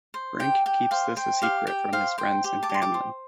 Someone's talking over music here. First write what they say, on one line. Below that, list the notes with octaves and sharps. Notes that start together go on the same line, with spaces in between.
Brink keeps this a secret from his friends and family.
C5
G4 G5
G4 G5
C5 F5
C5 G5
G4 F5
G4 G5
C5 F5
C5 G5
G4
A5 D6
G4 C6
A5 D6
C5